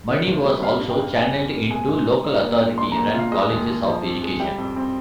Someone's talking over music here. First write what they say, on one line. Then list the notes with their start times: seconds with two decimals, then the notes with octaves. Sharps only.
Money was also channelled into local-authority run colleges of education.
0.09 D#3
0.27 D2
0.45 G3
0.62 G3 F5
0.80 G2
0.90 G5
0.99 G2
1.16 G3 G#5
1.35 F2
1.52 A#3
1.70 G#3 G#5
1.88 G#2
2.06 D#4
2.24 D#4
2.42 A#2
2.60 A#2
2.78 D4 C6
2.92 A#5
2.96 A#2
3.14 F4 F5
3.32 G#3 D#5
3.50 D#2
3.68 D#2
3.86 F3
4.03 F2
4.21 G#3
4.40 G3 G5
4.58 F2
4.76 C4